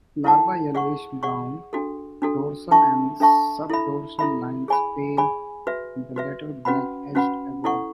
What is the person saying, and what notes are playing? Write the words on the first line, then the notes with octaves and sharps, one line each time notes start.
Larva yellowish brown; dorsal and subdorsal lines pale, the latter black -edged above.
E4 A4 D5 F#5 A5
G#4 D5 F#5 C#6
G#4 D5 F#5 C#6
D4 F#4 A4
D4 F#4 A4
D4 A4 E5 A5 C#6
D4 A4 E5 A5 C#6
E4 A4 E5 B5
E4 A4 E5 B5
G#4 D5 G#5 B5
G#4 D5 G#5 B5
F#4 B4 E5
F#4 B4 E5
C#4 F#4 B4 F#5 B5
C#4 F#4 B4 F#5 B5
E4 A4 D5 F#5 C#6